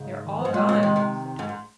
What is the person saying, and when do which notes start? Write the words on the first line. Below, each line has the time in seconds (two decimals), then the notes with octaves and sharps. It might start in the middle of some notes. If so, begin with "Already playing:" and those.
"They're all gone," said he.
Already playing: G#2 C#3
0.25 D#3
0.40 F3
0.45 G#2
0.54 A#2 G#3
0.69 A#2 C#3
0.83 C3 D#3
0.96 C3 D#3
1.39 G#2
1.49 G#2